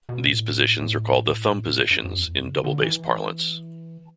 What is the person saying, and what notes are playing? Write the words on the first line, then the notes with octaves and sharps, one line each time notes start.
These positions are called the 'thumb positions' in double bass parlance.
B2
A2
A2
G2
F#2
E2
F#2
C#3
D3
E3